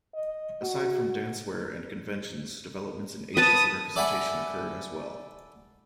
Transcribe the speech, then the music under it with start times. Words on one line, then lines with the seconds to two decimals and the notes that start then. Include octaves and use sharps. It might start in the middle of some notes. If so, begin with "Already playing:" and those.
Aside from dancewear and conventions, developments in agency representation occurred as well.
0.14 D#5
0.62 F#4
3.37 B4 A5 D#6
3.96 A4 D5 E5 F#5 G#5 B5